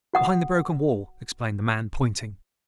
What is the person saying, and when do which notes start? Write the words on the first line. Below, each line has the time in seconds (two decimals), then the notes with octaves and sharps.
"Behind the broken wall," explained the man, pointing.
0.14 F#4 F#5 D#6